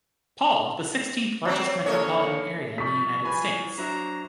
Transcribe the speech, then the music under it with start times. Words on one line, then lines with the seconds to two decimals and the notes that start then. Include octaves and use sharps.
Paul, the sixteenth largest metropolitan area in the United States.
1.45 F#3 C4
1.86 D3 F3 A#3 C#5 D#5
2.78 F3 G3 C#6 B6
3.25 E3 F3 G3 B4 G#5 B5
3.78 F#3 D4 C5 E5 A#5